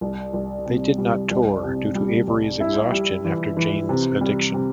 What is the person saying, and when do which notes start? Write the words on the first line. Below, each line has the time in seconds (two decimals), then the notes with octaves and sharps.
They did not tour due to Avery's exhaustion after Jane's Addiction.
0.01 C2
0.33 C2
0.66 C3
0.98 G3
1.30 C2
1.63 C3
1.95 G3
2.27 C2
2.60 E4
2.92 G3
3.24 E3
3.57 E3
3.89 C3
4.21 G3
4.54 C3